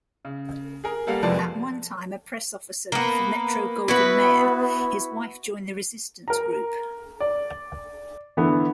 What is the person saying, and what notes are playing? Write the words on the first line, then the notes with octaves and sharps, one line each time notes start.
At one time a press officer for Metro-Goldwyn-Mayer, his wife joined the resistance group.
C#3
G#4 A#4
G3 A#3 A4 F5 F#5
F1 F2 G#3 B4 D5 A5
A#3 B3
B3 E4 F#4 B4
A#4 A#5
D5
D3 E3 A3 B3